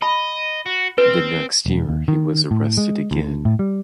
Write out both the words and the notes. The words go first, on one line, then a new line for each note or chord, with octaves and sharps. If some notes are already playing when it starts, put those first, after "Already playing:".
The next year he was arrested again.
D#5 B5
F#4
C4 B4
E1
D#2
D#3
A2
G#3
D2
A2
G3